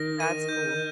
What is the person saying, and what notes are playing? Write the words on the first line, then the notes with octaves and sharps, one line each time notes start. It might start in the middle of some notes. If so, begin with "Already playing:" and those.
That's cool.
Already playing: D#3 A#6
D#7
G6